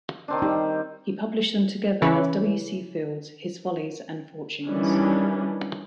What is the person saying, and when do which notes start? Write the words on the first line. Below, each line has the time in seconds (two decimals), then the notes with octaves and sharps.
He published them together as "W. C. Fields: His Follies and Fortunes".
0.28 D#3 C4 D4
0.42 G3 D#4
2.02 C#3 E3 C#4 E4 B4
4.66 D#3 E3 G3 C#4 D4 E4